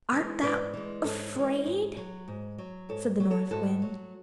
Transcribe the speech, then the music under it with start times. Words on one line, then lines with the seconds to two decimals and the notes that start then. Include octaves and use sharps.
"Art thou afraid?" said the North Wind.
0.12 E3 G#3
0.43 G#2 B4 D5
0.73 E3 G#3
1.04 G#2 A4 C#5
1.35 E3 G#3
1.66 G#2
1.97 F#3
2.28 G#2
2.58 F#3
2.89 G#2 A4 C#5
3.20 F#3
3.30 A4 C#5
3.51 G#2 F#4 A4
3.82 F#3